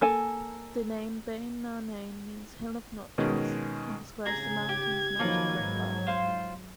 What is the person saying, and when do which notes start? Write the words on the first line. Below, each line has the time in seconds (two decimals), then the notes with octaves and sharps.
The name Beinn Narnain means "hill of notches", and describes the mountain's notched profile.
0.01 A#3 A4 G#5
3.18 B2 D#3 G#3 C#4
4.26 G#1 C#3 G#4 A#5 G#6
4.69 G4
5.19 D#3 F3 F#3 A#3 A4 B4
5.55 G#2 F#3
6.07 F4 C5